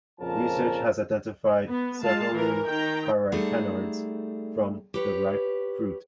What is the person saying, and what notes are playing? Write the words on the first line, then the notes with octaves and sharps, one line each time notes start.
Research has identified several new carotenoids from the ripe fruit.
F2 A#2 C#3 F3 A#4 A5
B3
G#3 F4 F5 A5
E3 A#4
D#3 G5 A#5
G3 A3 D#4 G#4 A4 F#5
G4 B4 C#5